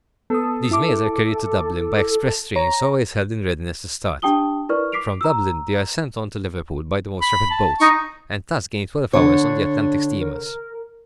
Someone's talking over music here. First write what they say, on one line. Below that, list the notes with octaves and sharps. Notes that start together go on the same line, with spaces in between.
These mails are carried to Dublin by express trains always held in readiness to start; from Dublin they are sent on to Liverpool by the most rapid boats, and thus gain twelve hours on the Atlantic steamers.
B3 A4 D#6
E4 D6
C#5 A#5
D4 G4 G5 A5 D#6 G7
E4 A#4 B4 D5 C#6 F6
D6 B6 C7 D7 F7
A#5 E6
B5
A5
D#4 C#6
D3 D4 C#5
A#4